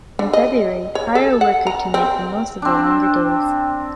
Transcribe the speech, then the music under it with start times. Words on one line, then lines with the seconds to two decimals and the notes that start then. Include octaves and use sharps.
In February, hire a worker to make the most of the longer days.
0.19 D3
0.33 D#5
0.95 C#5
1.15 A4
1.41 F#5
1.67 A#5
1.94 C4
2.62 C4 D4